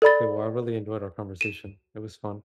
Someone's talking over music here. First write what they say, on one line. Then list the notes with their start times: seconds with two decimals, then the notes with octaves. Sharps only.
Yeah, well, I really enjoyed our conversation, it was fun.
0.02 A4 D5 B5 A6
1.41 D#7 E7